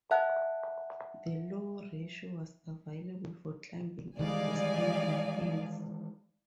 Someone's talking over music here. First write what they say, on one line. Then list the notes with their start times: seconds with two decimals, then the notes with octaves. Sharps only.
The low ratio was available for climbing and descending hills.
0.11 E5 F#5 A5 F#6
4.19 D#3 E3 G3 G#3 D5 D#5 F5 G#5